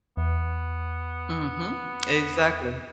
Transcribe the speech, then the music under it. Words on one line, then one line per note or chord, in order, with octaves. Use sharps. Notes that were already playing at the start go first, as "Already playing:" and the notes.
Mhm. Exactly.
E2 B3